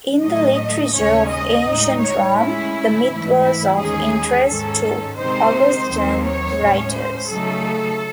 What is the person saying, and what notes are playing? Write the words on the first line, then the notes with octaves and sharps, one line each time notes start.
In the literature of ancient Rome, the myth was of interest to Augustan writers.
A2 F#3 A3 D#5
D#2 C#3 G#3 C#4 C#5
D#5
A2 G#3 D#4
C#5
A2 G#3 C#4 E4
G#2 E3 A3
E4
D#2 D#3 G#3 C#4 G#4
G#2 D#3 G#3 C#4 A4
C3 D#3 G#3 C4 D#4 C5
D#2 D#3 F#3 C4
C#5
A2 G#3 C#4
C5
C#3 F#3 A3 D#4 A4